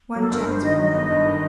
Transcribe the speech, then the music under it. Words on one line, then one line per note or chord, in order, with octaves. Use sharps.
One chance for life.
F#3 A4
G1 A#4
G2 C5
D#3 D#5
F#3 D#5
G1
G2
D#3